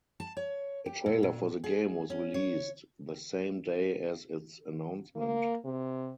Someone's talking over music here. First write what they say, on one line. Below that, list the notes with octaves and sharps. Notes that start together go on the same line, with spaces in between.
A trailer for the game was released the same day as its announcement.
A5
C#5
G4
A#2
A#2
G#4
C#4
C#5
A#3
C3